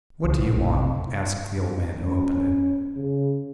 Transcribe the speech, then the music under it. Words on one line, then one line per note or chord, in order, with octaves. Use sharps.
'What do you want?' asked the old man who opened it.
C#2
A#1
C3
C#4
C#3